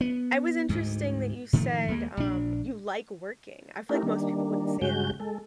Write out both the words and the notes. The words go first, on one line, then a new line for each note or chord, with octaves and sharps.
I was interesting that you said, um, you like working. I feel like most people wouldn't say that.
B3
D2 G#2
A2 D#3 F3 A3
D#2 G#3 A#3
A#1 D4
A3 C#4 D#4 E4 G4 A#4
D#3 G3 A#3 D4
G2 C#3 G#3 F#4 G6
G#3 A4